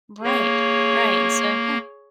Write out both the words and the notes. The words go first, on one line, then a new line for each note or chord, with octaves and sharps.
Right, right, and so, yeah.
A#3 G#4 C#5